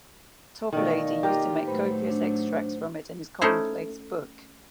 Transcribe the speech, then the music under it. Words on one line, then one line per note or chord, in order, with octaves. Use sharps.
Toplady used to make copious extracts from it in his common-place book.
B2 D#3 A3 D#4 D5 D#5 F5
A#3 F4 G4 A#4
A2 F#3 A3 B4 C5 B5
D4
A3 C#4 D#4 E4 C5